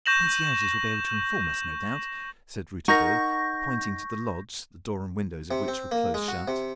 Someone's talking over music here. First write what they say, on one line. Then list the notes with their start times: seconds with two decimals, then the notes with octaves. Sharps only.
"The concierges will be able to inform us no doubt?" said Rouletabille, pointing to the lodge the door and windows of which were close shut.
0.06 C#6 G6 A#6 E7 F#7
2.88 D#4 A#4 F#5 C#6 G6 A#6
5.51 C3
5.68 C4
5.92 A#3
6.14 G#3
6.28 F#4
6.48 C3